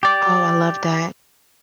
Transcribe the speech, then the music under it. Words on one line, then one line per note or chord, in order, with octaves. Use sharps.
Oh, I love that,
G4 D5